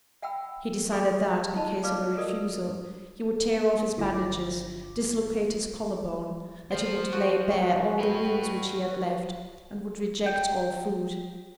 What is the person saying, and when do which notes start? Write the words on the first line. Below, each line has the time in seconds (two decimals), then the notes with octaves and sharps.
He decided that, in case of a refusal, he would tear off his bandages, dislocate his collar-bone, that he would lay bare all the wounds which he had left, and would reject all food.
0.22 E5 F#5 G5 B5 E6
0.92 G#4 A4 D5 G5 C6 C#6
1.56 D#4 F4 D#5 A5 B5
1.84 B4 D5 F5 D6
2.17 F4 A4 A#4 D5 D#5 D#6
3.97 G1 D3 E4 F4 D6 A#6
6.72 F3 C5
7.13 F#4
8.00 G4 B4
10.26 G5